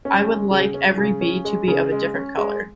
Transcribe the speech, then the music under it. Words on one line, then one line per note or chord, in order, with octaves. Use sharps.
I would like every bee to be of a different color!
C#4
G#3
C#3
C#4
C#3
C#4
G#3
C#3
G#3
C#4
G#3